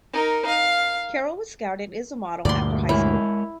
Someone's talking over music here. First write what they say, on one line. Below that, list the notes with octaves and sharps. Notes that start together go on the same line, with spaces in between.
Carroll was scouted as a model after high school.
D#4 A#4
F5
D2 G2 A#2 D5 C6
G#3 E4 A#4 C#5